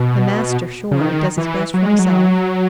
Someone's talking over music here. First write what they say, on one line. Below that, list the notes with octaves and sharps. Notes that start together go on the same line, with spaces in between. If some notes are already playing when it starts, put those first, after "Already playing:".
The master, sure, does his best for himself!
Already playing: B2
C#3
D#3
E3
F#3
G#3
F#3